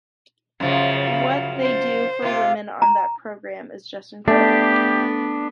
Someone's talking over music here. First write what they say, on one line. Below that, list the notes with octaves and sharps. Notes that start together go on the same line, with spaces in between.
What they do for women on that programme is just incredible.
F#2 C#3 F3
C5
C3 F4
A#5
A3 B3 D4 G4